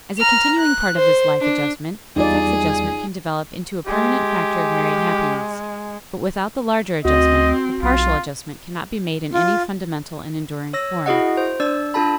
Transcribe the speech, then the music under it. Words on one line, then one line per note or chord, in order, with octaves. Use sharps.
As a continuing part of this life adjustment, sex adjustment can develop into a permanent factor of married happiness; but without the larger adjustment, the partial adjustment cannot be made in any fundamental and enduring form.
A#5 F6
F#6
C5
D4
E2 G3 D#4 F4 G#4 D5
G#3 G4
D2 C4 F#4 D#5
B1 F4
F4
C#5 E6 A#6
E4 F#4 G#4 D#5 F#5
C5
D4 D5 E6
D4 F4 A4 A5 B5